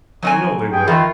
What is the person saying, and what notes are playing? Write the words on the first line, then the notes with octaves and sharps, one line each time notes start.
I know they will!'
F#3 C4 G#5
G#4 G5
D#3 E3 F4